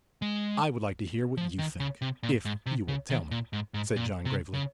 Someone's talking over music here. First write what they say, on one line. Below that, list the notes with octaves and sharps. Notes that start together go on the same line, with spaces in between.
"I would like to hear what you think, if you will tell me," said John, gravely.
G#3
F3
D#3
C#3
C3
A#2
G#2
C3
C#3
D#3
A#2
G#2
G#2
A#2
C3
C#3